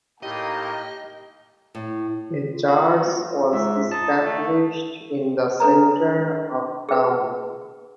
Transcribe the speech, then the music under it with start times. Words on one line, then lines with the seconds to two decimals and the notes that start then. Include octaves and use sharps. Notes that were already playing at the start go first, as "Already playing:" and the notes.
A church was established in the center of town.
0.23 A2 A#3 D#4 G4 D#5
1.75 A2
2.51 F4
2.68 F#4
3.53 G#2 E5
3.91 D#4 A5
4.22 A3
5.60 D4 A4 B4 A#5
6.89 G#4 B4